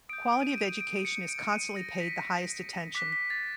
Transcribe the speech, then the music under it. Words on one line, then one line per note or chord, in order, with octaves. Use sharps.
Quality of education is constantly paid the highest attention.
D#6 G6 D7
D7
D#7
D7
D#7
D7
C#7
D7
D#7
A#6
B6
D6 F#6 B6
B6
A6